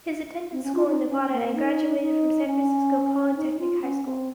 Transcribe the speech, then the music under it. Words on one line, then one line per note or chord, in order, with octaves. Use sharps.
His attended school in Nevada, and graduated from San Francisco Polytechnic High School.
C4
C#4
F4
D#4
C#4
A#3
D#4
D#4
C#4
D#4
F4
C#4
C4